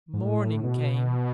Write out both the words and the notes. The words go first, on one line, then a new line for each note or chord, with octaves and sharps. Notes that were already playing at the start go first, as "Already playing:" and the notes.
Morning came!
G#2
A2
B2